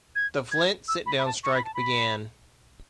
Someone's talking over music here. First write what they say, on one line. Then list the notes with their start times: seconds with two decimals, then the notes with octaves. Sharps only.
The Flint sit-down strike began.
0.16 G#6
0.51 G#6
0.88 E6
1.06 B5
1.19 B5
1.25 A5
1.44 C#6
1.54 B5
1.65 A5
1.74 B5